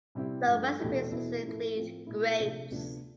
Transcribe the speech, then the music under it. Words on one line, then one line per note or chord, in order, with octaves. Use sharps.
Some recipes also include grapes.
C3 G3 C4 E4 G4
G2 F3 A3
E2 B2 A3 E4 G4
E2 B2 B3 E4 A4
A2 F3 A3 E4
A2 F3 C4 F4
B2 A3 E4
C3 F3 A3 D4 G4
D2 C3 F3 B3 D4